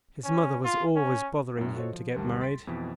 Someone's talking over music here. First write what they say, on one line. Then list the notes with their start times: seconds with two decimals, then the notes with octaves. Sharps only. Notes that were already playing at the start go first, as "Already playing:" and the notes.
His mother was always bothering him to get married.
0.24 C#4
0.64 F4
0.96 C#4
1.57 F#2 A2
1.76 F#4 A4 C5 C#5 D#5
1.93 F3
2.15 G#1 D2 G3 A#4 A5
2.40 C6 A6 B6 D7
2.67 F2 B2 E3